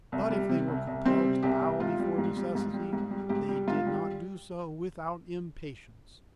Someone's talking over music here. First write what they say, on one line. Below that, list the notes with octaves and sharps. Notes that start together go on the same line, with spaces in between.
But if they were compelled to bow before necessity, they did not do so without impatience.
C2
G3
C3
C2
C2
G3 C4
C3
C2 G4
C2
G#2 F4
G3
G#2
G3
G#2
G3
G#2
G3
G#2 G4
G3
G#2 F4
G3